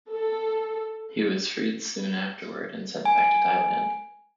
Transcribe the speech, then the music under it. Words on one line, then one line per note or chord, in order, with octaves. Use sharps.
He was freed soon afterward and sent back to Thailand.
A4
G#5